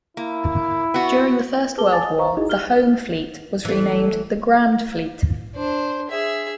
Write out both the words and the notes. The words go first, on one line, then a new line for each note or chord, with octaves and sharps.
During the First World War, the Home Fleet was renamed the Grand Fleet.
A#3 E4
B3 F#4
G#4 B4 A5 D6 G7
G#5 A5 D6 A6
D#5 D#6
B4 C5 F5 A#5 C#6
D#4 E4 F#4 G#4 D#5
G4 F6 G7
E3 A3
D4 C5
G#4 E5